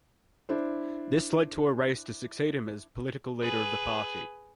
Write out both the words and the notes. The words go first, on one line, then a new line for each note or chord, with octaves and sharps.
This led to a race to succeed him as Political Leader of the party.
D4 E4 C5
G#4 B4